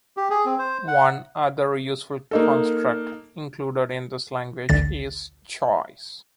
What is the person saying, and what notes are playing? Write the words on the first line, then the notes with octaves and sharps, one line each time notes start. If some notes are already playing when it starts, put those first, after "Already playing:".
One other useful construct included in this language is "choice".
G4
G#4
C4
C5
F#5
A#3 D#4 A4
A1 D2 D3 A6